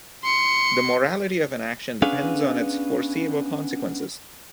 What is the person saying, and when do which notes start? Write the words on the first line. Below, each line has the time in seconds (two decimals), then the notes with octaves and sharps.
The morality of an action depends on its foreseeable consequences.
0.23 C6 C#7
2.02 B3 C#4 D4 G#4 B4 F5